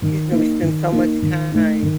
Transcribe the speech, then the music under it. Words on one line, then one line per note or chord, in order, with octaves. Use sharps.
'cause, you know we spend so much time
D#3
A#3 D#4
D#3
A#3 D#4
D#3
A3 D#4
D#3